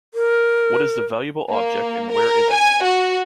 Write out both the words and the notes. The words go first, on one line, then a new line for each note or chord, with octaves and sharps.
What is the valuable object and where is it?
A#4
A#3
A#4
G#5
F#4